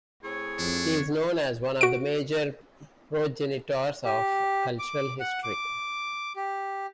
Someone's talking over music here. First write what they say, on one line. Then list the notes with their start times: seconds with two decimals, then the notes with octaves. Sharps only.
He is known as one of the major progenitors of cultural history.
0.24 A2 C4 G#4 C#5
0.59 F2 D4
1.81 F#4 D7
4.04 G4
4.79 D6
5.20 F#5
5.43 D6
6.36 G4